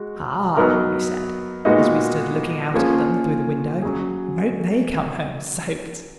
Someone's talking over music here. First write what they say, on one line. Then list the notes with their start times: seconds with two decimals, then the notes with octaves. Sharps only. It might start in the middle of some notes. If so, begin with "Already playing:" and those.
"Ah!" we said, as we stood looking out at them through the window, "won't they come home soaked!"
Already playing: G#3 F#4
0.57 F#3 B3 D#4 A#4
1.65 A#2 G#3 B3 D#4 F#4
2.74 F3 A#3 C#4 F4 G#4
3.82 F#3 C#4 G#4